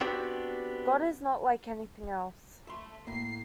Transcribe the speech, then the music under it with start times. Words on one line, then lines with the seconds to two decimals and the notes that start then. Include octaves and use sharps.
God is not like anything else.
0.01 B3 C4 D4 F#4 G4
2.67 A3 E5 B5 C6
3.07 A2 A#3 C7